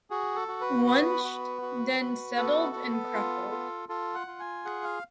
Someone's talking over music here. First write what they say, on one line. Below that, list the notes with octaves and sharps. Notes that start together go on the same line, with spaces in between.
Wunsch then settled in Krefeld.
F#4 G#4
A4
F#4
B4
B3 B4
F#4
F#4
F#4
B3 A4
B3
F4
F4
F4 A4
F#5
F4
G#5
G#4 F#5
F5